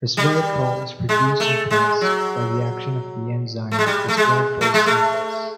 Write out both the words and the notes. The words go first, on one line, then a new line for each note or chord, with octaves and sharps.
Resveratrol is produced in plants by the action of the enzyme, resveratrol synthase.
G3
G#3
A3
G#3
F#3
A3
G#3
G3
A3
G#3
A3
G#3
A3